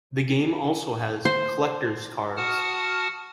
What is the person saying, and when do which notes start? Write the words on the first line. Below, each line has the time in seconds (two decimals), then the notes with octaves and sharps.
The game also has Collector's cars.
1.25 C5
2.37 F#4 F#5 A5 D#6 F6